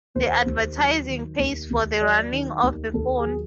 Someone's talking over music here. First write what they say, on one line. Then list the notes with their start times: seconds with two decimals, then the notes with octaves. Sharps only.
The advertising pays for the running of the phone.
0.16 D#2 C5
0.46 D#2
0.77 F#3
1.09 D#3
1.39 D#2
1.71 D#2
2.01 F#3 D5
2.32 D#3
2.63 D#2
2.94 D#2 A4
3.17 G#4
3.25 F#3